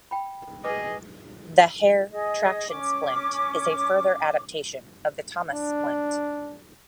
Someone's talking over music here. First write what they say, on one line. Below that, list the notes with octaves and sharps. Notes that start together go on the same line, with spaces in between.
The Hare traction splint is a further adaptation of the Thomas splint.
G5 B5
G#4 B4 D#5 D6
G#4 D#5
C#4 D6
D4